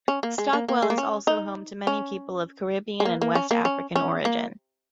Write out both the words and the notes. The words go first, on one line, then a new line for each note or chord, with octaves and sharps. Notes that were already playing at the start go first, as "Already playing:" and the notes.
Stockwell is also home to many people of Caribbean and West African origin.
C#4
A#3
G#3
A#3
A#3
G#3
A#3
C#4
D#4
C#4
G#3
A#3
A#3
C#4
A#3
C#4
C#4
A#3